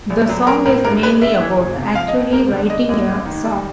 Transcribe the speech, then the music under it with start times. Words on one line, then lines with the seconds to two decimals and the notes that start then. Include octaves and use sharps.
The song is mainly about actually writing a song.
0.10 A#1
0.29 F#3
0.47 A#3 A#4
0.66 A2 A#4
0.85 G2 A#4
1.03 G#3 B4
1.21 G2 E5
1.40 E3
1.59 F#1
1.77 C3
1.95 F3 F5
2.08 D#5
2.15 F2
2.33 E1 A#4
2.51 D3
2.70 G3 D#5
2.89 D#2
3.07 A1
3.26 D#3
3.44 G3